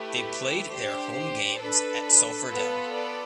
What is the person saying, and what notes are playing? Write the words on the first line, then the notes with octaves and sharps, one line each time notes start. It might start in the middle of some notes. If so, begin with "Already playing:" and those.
They played their home games at Sulphur Dell.
Already playing: A3 E4 G4 B4
D4 G4 C5
D4 A4 B4
B4
B3 F4 A4
B4 D5